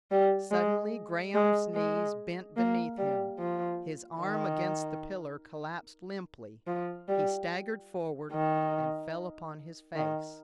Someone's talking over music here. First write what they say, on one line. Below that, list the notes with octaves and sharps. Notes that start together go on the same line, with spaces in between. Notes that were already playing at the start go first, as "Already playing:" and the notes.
Suddenly Graham's knees bent beneath him, his arm against the pillar collapsed limply, he staggered forward and fell upon his face.
G3
G#3
G#3
G#3
A#3
G3
F3
D#3
F3
G3
D#3
D#3